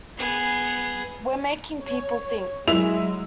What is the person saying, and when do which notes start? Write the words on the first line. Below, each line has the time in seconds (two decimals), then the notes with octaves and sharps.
We're making people think.
0.18 B3 G#4
1.82 C#5
2.68 F#3 G#3 E4 E6 F7